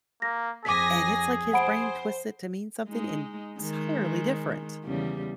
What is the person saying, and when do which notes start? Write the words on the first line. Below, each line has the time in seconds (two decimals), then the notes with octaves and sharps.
and it's, like, his brain twisted to mean something entirely different.
0.22 A#3 A#6
0.65 F2 G#4 G#5 D6 A#6 B6
1.53 C5 F#5 B5 D7
2.89 G#3 D#4
3.60 D#3 G#3
4.84 E2 C#3 G3